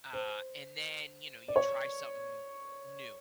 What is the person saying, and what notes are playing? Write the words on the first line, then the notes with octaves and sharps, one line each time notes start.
Ah, and then, you know, you try something new.
C5
D5
C#5